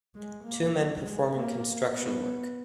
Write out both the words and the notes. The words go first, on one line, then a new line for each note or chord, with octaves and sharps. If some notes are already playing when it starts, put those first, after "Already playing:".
Two men performing construction work.
G#3
A#3
F#3
G#3
A#3
B3